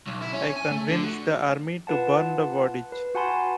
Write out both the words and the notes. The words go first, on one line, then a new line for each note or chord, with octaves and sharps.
I convinced the army to burn the bodies.
B1
E4
C#4
G#5
A3
D3
F#4
F4 B4 F#5 A5
B4
F#4 F#5 G#5 A5 B5 C6